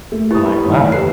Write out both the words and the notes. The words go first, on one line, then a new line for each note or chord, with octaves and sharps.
I'm, like, "Wow.
A3 A#3
E4 G4 B4 C#6 D#6
E4 B5
G2 D#3 C#5
E3 A#3 D5
G4 A4 B4 F#6 C7